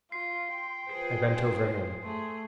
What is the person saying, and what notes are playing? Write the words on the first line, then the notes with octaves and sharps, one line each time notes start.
I bent over him.
F4 C6 C7
G5
F4 G#4 B4 C5 C7
A3 G#4 C6